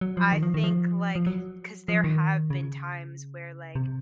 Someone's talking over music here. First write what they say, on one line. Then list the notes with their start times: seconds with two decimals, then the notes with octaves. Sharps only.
I think, like 'cause there have been times, where, like,
0.01 F#3
0.17 F3
0.32 D#3
0.43 F3
0.54 D#3
0.64 F3
1.15 F3
1.26 F#3
1.88 F3
2.04 D#3
2.50 C#3
3.75 C3